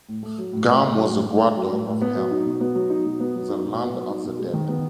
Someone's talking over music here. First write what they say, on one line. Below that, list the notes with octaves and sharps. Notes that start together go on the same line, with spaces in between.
Garm was the guard dog of Hel, the land of the dead.
A2
A3
F#3
A2
A2
A3
F#3
A2
A2
A3
F#3
A2
A2
B3
F#3
D#4
B2
B3
F#3
D#4
B2
B3
F#3
D#4
B2
B3
F#3
D#4
B2
G#3
D#3
B3